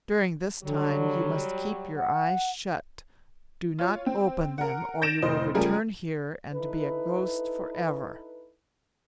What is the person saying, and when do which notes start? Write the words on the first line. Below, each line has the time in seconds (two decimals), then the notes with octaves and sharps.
During this time you must keep your eyes shut; do not open them, or you will return here and be a ghost forever.
0.63 D3 F#3 G3
1.97 F#5
3.79 F4 C#5
4.06 C4
4.58 A#4 F#5
5.02 G6 A6 A#6 D7 E7 F7
5.22 F1 A2 C5 D#5
5.54 C#3 F3 G3 A3 G#4 A#4
6.53 D#4 E4 A4 B4